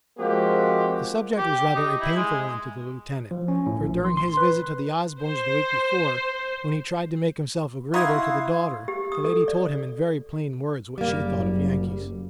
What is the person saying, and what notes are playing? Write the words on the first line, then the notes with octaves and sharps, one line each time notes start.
The subject was rather a painful one to the Lieutenant, for during his visit to the Osbornes the week before, when he tried to make himself agreeable to the daughter, the lady told him in very plain words what she thought of Yankees.
F3 G#3 A#3 C4 F#4 G4
G4
D#4
E4
G#3
F3
C#4
A2
A#1
C6
C6
B4
C5
D#4 E4 F#4 F5 C6 D#6 G#6
G4
D#6
A4
D5
F#1 G3 A#3